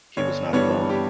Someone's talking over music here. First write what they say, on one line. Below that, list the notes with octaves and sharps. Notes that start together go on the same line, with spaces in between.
He was not alone.
G1 C#5
G2 E3 G3 B3 C#5
G4